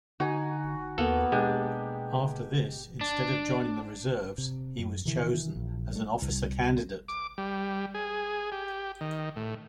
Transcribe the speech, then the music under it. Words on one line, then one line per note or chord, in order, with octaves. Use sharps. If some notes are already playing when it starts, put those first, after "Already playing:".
After this, instead of joining the reserves, he was chosen as an officer candidate.
D3 D#4 F#4 G#5
D#2 A#3 B3 A4
B2 G#3 D4 G4
D4
C3
F#2
C3 D#3 E3
A#1
G3 A3
C2
D6
G3
G#4
G4
D#3
A2